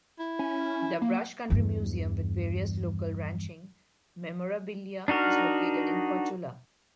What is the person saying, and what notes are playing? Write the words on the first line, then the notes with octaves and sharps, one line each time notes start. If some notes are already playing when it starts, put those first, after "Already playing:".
The Brush Country Museum, with various local ranching memorabilia, is located in Cotulla.
E4
C#4
A#3
E2 G2
D4 D#4 F#4 A#4